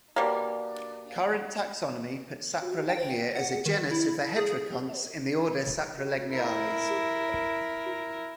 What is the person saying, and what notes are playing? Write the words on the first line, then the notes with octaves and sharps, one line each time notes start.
Current taxonomy puts Saprolegnia as a genus of the heterokonts in the order Saprolegniales.
B2 G3 A#3
G5
F#5
D#3
E4
G#4
E4 A#4